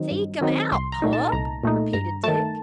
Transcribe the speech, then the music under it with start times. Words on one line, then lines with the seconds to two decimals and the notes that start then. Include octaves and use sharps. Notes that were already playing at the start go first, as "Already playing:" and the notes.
"Seek him out, pup!" repeated Dick.
Already playing: D#3 F#3 C4 D#4
0.11 G2
0.41 D#3 F#3 C4 D#4
0.72 C2 C6
0.92 A#5
1.02 A#2 A3 D#4
1.13 A5
1.32 C2 A#5
1.64 A#2 A3 D#4
1.93 G2 A#5
2.23 D#3 A3 A5